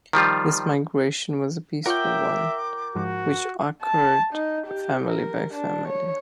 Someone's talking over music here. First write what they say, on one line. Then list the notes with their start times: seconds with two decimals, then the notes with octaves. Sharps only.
This migration was a peaceful one which occurred family by family.
0.13 D#3 F3 G3 F4
1.86 F4 A#4 C#5 E5 F#5 G5 D6
2.95 G#2 F3 F#4
3.83 A5
4.33 D#4
4.67 G4
5.10 A#4
5.54 D4
5.88 C#5